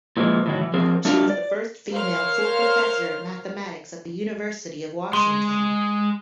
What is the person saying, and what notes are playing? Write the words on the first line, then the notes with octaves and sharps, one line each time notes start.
She was the first female full professor of mathematics at the University of Washington.
A#2 E3 F3 G#3
A2 D#3 F#3
E3
F3 C4 G#4 A#4 C5
G3 A3 D4 F4 A#4 F5
D5
A#4 C5 C#5 F5 F6
G#3 C6